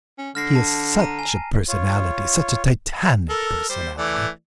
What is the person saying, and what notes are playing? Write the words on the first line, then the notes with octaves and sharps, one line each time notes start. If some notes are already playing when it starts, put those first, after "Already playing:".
He is such a personality, such a titanic personality!
C#4
D3 F6 A#6 C7
A5
A#5 D#7
G#5
F4 C#5
A4 A#4
G3 C5
E3 A3 D5